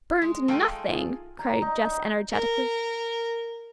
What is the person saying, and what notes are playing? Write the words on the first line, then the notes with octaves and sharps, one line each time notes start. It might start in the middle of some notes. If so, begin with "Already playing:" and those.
"Burned, nothing!" cried Jess energetically.
G#3
F3 G#3 A3 D#4 G5 G#5
F4 G#4
A#5
D#4
D#4
A#4